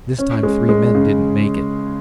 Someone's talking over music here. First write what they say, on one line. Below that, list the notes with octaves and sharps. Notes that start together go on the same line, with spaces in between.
This time three men didn't make it.
C#4
G#3
G#3
C#3